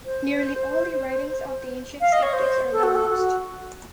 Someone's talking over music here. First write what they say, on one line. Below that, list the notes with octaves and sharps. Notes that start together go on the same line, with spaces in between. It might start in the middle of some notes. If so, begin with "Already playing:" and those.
Nearly all the writings of the ancient skeptics are now lost.
C5
F5
D#5
C#5
C5
A4
F#4
A4
F#4